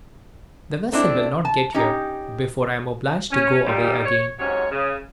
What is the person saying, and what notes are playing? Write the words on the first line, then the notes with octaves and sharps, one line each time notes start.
"The vessel will not get here, before I am obliged to go away again."
A3 C4 D4 E4
A5
C#4 D#4 G4
C#4
A#2 D#3 G3
C#5
G#2 C3 F#3 C#4 C#5
C#3